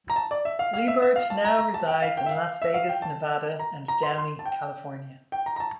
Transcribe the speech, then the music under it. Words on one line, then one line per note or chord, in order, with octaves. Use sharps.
Liebert now resides in Las Vegas, Nevada and Downey, California.
A#5
A5
D5
E5
F5
F5
E5
E5
F5
A5
A#5
A#5
A5
G5
F5
G5
E5
F5
E5
F5
G5
A5
A#5
A#5
C6
C6
A5
G5
G5
A#5
A#5
A5